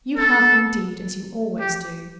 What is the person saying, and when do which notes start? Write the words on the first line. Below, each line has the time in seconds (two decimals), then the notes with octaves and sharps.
"You have, indeed, as you always do."
0.17 A4
1.60 G4